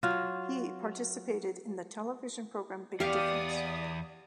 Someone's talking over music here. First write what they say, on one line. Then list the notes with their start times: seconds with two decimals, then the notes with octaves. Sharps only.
He participated in the television program "Big Difference".
0.03 F#3 F4 F#4
3.00 E2 B3 G4 D5 F5 D#6